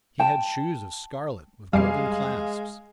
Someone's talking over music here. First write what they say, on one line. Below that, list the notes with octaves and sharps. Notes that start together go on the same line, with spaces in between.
He had shoes of scarlet with golden clasps.
G5 A5
F2 G3 G#3 F5 G#5 C7